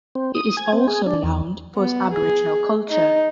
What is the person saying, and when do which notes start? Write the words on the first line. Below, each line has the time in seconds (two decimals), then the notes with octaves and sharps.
It is also renowned for its Aboriginal culture.
0.15 C4
0.35 D#6
0.57 G#5
0.73 C4
0.88 G#4
1.06 D4
1.23 E2
1.75 B3
2.13 G#4
2.90 D#4